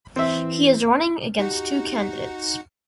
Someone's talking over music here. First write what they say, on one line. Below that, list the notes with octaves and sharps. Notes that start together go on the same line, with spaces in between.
He is running against two candidates.
E3 C4 E5
D#4 F#4 G4 F#5